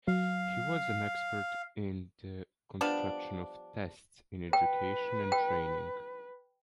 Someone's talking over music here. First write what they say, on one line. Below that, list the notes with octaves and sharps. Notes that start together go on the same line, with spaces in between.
He was an expert in the construction of tests in education and training.
F#3 F5
F3 G3 B3 D4
B4 G5
G5